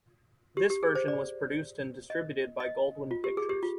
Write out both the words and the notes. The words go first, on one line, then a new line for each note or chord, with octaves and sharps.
This version was produced and distributed by Goldwyn Pictures.
G4
G4
G#4
C5
D5
D#5
D#5
F4
G4
G#4
G4
F4